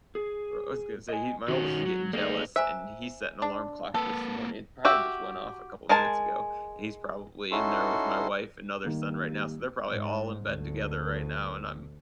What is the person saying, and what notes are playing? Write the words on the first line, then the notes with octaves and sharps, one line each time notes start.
I w was gonna say, he my oldest is getting jealous, and he set an alarm clock this morning it probably just went off a couple minutes ago, and he's probably in there with my wife and other son right now, so they're probably all in bed together right now, and I'm
G#4
D#5 G#5
D#3 C#4 F#4
F#3
A3 A#3 D#4 G#4 D5
C5 E5 G#5 A#5
D4
A#3 A4 B4
F#4 G4 E5
G#3 A#4 G#5 A5
C#4 D#4 E4 F#4 A4 C6
D#3 G3 A#3 G4
G#2
D2